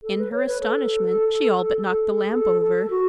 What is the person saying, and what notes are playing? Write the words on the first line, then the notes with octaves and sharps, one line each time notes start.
In her astonishment, she all but knocked the lamp over.
A4
B4
C#5
B4
A4
G#4
A4
A4
F#4